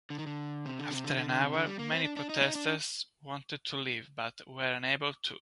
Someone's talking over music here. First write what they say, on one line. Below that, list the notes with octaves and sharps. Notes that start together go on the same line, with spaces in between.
After an hour, many protesters wanted to leave but were unable to.
D3
D#3
D3
C3
D3
C3
D3
D3
D3
C3
D3
G3
A#3
C4
D4
D4
D#4
D#4
D4